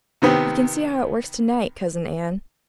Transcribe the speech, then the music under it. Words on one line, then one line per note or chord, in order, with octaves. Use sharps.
"You can see how it works to-night, Cousin Ann!"
C3 D#3 B3 G4